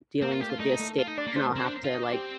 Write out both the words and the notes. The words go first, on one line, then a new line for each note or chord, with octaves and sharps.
dealings with the estate, and I'll have to, like,
A#3 C4
F4
A3 G4
F4
A3 D#4
A3
F4
D#4
D4 D5
A#3
A3 C5
A#4
C4
D4 C5
F4
D#4
D4
C4 G4